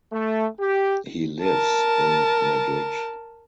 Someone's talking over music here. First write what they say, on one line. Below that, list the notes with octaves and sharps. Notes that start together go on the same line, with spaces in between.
He lives in Madrid.
A3
G4
A#4 A5